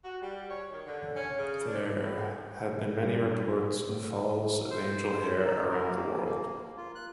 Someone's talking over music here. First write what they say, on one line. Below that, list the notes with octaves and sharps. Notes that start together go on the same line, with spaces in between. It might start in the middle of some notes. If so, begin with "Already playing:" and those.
There have been many reports of falls of angel hair around the world.
F#4
G3
C#5
D#3
D3
C#4
C#3
D4
A2
G2
A2
C5
D#4
A#4
A#3
A#3
F4
F#6